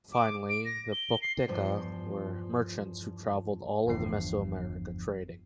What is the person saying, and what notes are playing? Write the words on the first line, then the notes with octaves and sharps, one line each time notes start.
Finally, the "pochteca" were merchants who traveled all of Mesoamerica trading.
D6
D7
A#6
G7
C7
E2 G2 F3
G1 E2 G2 F3 C7